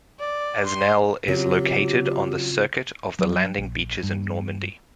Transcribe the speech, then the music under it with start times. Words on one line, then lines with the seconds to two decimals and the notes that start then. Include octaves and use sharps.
Asnelle is located on the "Circuit of the landing beaches in Normandy".
0.20 D5
0.66 C6
1.28 C#3 F#3 C4 F4 G4
3.19 F#3
3.58 A#1
4.03 G2